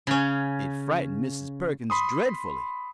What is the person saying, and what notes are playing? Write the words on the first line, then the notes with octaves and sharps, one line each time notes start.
It frightened Mrs. Perkins dreadfully.
C#3 C#4
B5 C6 D#6